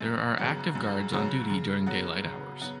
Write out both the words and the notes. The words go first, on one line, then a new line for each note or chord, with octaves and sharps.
There are active guards on duty during daylight hours.
F#2
C#3 F#3 B3
F#2
C#3 F#3 B3
C#3
F#3 B3
C#3
F#3 B3